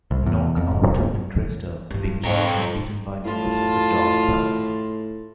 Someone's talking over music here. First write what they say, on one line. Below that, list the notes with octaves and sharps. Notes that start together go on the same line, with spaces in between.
Knocc Out and Dresta being chased and beaten by members of Tha Dogg Pound.
C2
E2
F2
F#1
G2 E3
F2 G#2 C3 A#4 C#5
A2 F4 A5